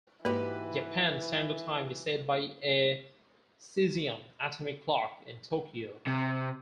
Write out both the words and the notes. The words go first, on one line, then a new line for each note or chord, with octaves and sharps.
Japan Standard Time is set by a caesium atomic clock in Tokyo.
G#2 E3 A#3 F#4 G4 B4
C3